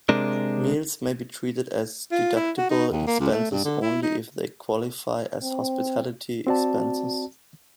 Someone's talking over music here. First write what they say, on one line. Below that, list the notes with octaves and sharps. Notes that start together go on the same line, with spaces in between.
Meals may be treated as deductible expenses only if they qualify as hospitality expenses.
C3 G#3 D4 A#4
F4
E4
F#4
D#4
D#2
A#3
C#2
A3
G2
D3
E4
D#4
C4
C4 F#4 D5 A5